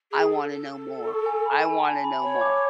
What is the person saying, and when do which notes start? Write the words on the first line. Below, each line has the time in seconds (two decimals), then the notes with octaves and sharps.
"I want to know more. I want to know more."
0.12 G#4
0.30 A4
0.50 A4
1.08 C#6
1.26 G#5
1.46 B5
1.65 G#5
1.85 A5
2.04 B5
2.22 C#5 B5
2.41 D6